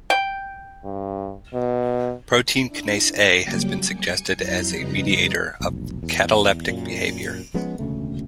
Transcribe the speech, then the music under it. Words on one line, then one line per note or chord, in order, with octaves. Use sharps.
Protein kinase A has been suggested as a mediator of cataleptic behavior.
G5
G2
B2
D4 E4
D6
C#3 F#3 G3 A#3 G5 D6
G#5 C#7
F2 F#3 E4 A#5 G6 C7
F2 C#3 G3 B4 D#5 A#5
F1 B1
E2
F#2 A#2
F3 G#3 B3 C#4
E1 D2 C#3 A3